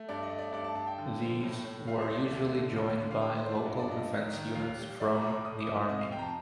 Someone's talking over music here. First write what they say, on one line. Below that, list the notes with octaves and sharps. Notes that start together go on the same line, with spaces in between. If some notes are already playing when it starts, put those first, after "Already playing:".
These were usually joined by local defence units from the army.
Already playing: A3
G2 D5
D#5
A3
D5
G2 D5
A5
G2 A5
G5
D3
F3
A2
A2
A3 F5
C5
A3
D5
D#2
D3
D#2
D3
F5
D#3 G5
C5
A3
D5
G2 D#5
D5
G2 D#5
D#3
D#3
D#2 F5
G3
A3 D5
A#5
A2
D6
A2 D#6
D6
A3
C3 D#5
F5
F2 G5
A#5
A5